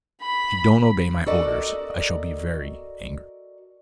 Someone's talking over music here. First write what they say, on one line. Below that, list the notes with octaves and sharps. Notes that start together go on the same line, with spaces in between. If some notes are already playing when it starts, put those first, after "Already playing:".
If you don't obey my orders I shall be very angry.'
B5
F#4 A4 A#4 D5 D#5